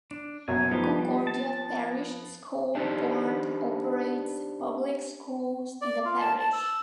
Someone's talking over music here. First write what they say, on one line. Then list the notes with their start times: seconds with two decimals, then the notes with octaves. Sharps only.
Concordia Parish School Board operates public schools in the parish.
0.11 D4
0.48 F#1 F#2 B2 G#5
0.71 F3 A3 B3 D#4 G4
0.99 G3
1.27 A5
2.75 D4 D#4 G4 C5
5.82 D5
6.05 F4
6.21 A5
6.40 A5
6.53 E6